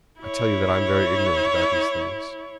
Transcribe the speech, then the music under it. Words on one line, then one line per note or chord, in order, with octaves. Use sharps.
"I tell you that I am very ignorant about these things."
E4 C#5